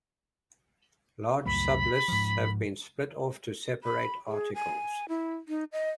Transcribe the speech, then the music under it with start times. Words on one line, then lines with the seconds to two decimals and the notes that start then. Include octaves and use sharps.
Large sublists have been split off to separate articles.
1.45 C#2 F#2 A3 B5
2.08 G#2 F3
3.84 B5
4.27 G#4
4.55 G#5
5.09 E4
5.48 D#4
5.72 D#5